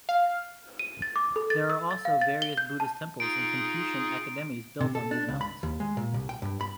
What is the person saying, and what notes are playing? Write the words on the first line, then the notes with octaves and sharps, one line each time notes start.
There are also various Buddhist temples and Confucian academies built on these mountains.
F5
D#7
A6
D6
A4
A6
E6
A6
F5
A6
G7
G6
A5
D#4 F4 G#4 D7
C3
A4
D4
C#2
B5
D#2
G#3
A#2
C2
G5
G2
B5